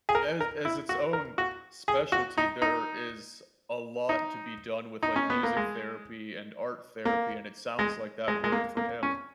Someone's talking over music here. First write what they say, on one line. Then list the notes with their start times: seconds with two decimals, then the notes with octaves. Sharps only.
as as its own specialty, there is a lot to be done with, like, music therapy and art therapy, and it sounds, like, that worked for him.
0.09 G#4
0.15 A#4
0.40 A#4
0.65 E4
0.89 F#4
1.13 A#4
1.38 F#4
1.88 G#4
2.12 F#4
2.38 D#4
2.62 D#4
4.09 D#4
5.03 D#4
5.16 C#4
5.30 B3
5.43 A#3
5.57 G#3
7.05 A#3
7.79 G#3
8.28 G#3
8.44 G#3
8.52 A#3
8.77 A#3
9.03 C#4